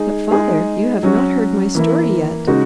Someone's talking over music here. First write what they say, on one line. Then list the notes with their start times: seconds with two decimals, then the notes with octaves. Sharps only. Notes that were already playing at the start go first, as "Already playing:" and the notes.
"But, father, you have not heard my story yet."
Already playing: G#3 D#4 G#4
0.31 G#3 D#4 G#4
1.03 F#3 C#4 F#4
1.75 E3 A#3 E4
2.47 C#3 G#3 D#4 F#4